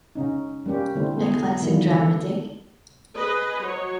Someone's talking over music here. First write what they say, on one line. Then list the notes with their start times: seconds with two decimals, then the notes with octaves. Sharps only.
A classic dramedy?
0.15 C#3 C#4 D#4
0.66 G3 A#3 C#4 G4
0.95 D3 G3 A3 C4 E4
1.16 G#3 A3 B3 G#4
1.62 D#3 E3 G3 A#3 E4
1.87 D3 A4
3.17 G#4 B4 D#5
3.62 F#3 C#5